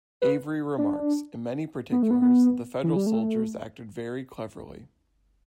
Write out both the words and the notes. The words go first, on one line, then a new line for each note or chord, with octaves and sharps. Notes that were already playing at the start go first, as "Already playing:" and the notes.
Avery remarks: In many particulars the Federal soldiers acted very cleverly.
B4
D4
B3
A3
B3
B3
E3
G3
A3